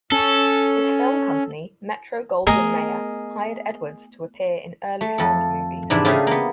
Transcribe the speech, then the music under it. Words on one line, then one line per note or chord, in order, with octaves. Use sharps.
His film company Metro-Goldwyn-Mayer hired Edwards to appear in early sound movies.
C#4 A4
A3 B3 G#4 A#4 D#5
A3
F2 A4
G#2 C3 E3 D4 E4
C#3 A3 F4 G4 G#4
A#3 B3